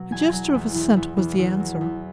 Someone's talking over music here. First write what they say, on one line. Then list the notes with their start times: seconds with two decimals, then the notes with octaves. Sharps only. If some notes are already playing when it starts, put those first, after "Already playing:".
A gesture of assent was the answer.
Already playing: B2 F#3
0.11 E2 G#5
0.32 F#3
0.54 E2
0.75 E2
0.96 E2
1.17 E2
1.38 E2
1.60 F#3
1.81 E2